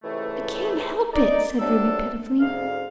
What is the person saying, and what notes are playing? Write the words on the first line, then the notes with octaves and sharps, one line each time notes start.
"I can't help it," said Ruby pitifully.
C#2 C3 E3 A3
D#4 D5
D#2 C3 F#3 D4 A4 E6
D2 G#2 F5